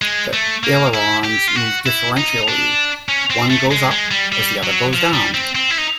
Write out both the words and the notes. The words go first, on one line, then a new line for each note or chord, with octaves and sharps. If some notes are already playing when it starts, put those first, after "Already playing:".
The ailerons move differentially - one goes up as the other goes down.
G#3
A3
A#3
E4
G4
F4
F#4
E4
D#4
D4
C#4
C4
A3
G#3
G#3
G3
G3
F#3
F3
G3
C4
C4
E4
D#4